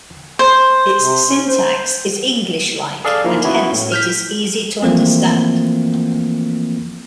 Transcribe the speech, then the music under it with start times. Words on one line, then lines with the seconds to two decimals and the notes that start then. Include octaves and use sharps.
Its syntax is English-like and hence it is easy to understand.
0.39 C5
0.99 C3
1.29 C#4
1.46 C5
3.05 G#4 A4 D5 F5
3.24 F3 A#3 D#4 E4
3.44 B3 C#4 E4 F#4
3.72 A2
3.92 F6 G6 B6
4.82 E3 F3 A3 A#3 C4